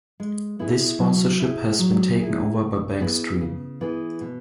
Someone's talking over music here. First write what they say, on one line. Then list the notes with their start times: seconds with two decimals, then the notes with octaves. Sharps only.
This sponsorship has been taken over by Bankstream.
0.20 G#3
0.59 B3 E4 G#4
0.99 F#3
1.40 E4 G#4
1.79 F#3
2.20 E4 G#4
2.60 C#3
3.00 E3 B3 G#4
3.41 C#3
3.81 E3 B3 G#4
4.21 B2